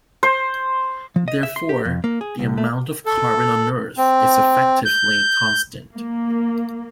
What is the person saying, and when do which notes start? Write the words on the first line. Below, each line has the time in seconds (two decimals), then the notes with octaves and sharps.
Therefore, the amount of carbon on Earth is effectively constant.
0.23 C5
1.16 F3
1.28 D#5
1.43 E5
1.56 C6
1.69 G4
1.85 F2
2.04 A#3
2.21 G#4
2.39 C2
2.58 A3
3.06 A4
3.97 C4
4.85 G6
5.95 A#3